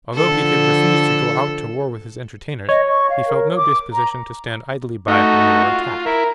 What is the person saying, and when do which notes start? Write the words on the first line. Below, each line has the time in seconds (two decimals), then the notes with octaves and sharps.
Although he had refused to go out to war with his entertainers, he felt no disposition to stand idly by when they were attacked.
0.15 D3 F3 A4
2.69 C#5 D#5
2.88 C#6
3.10 F5
3.27 A#4
3.56 D6
3.93 A#5
5.08 A3 D#4 F#4
5.63 F4
6.06 E4 A#4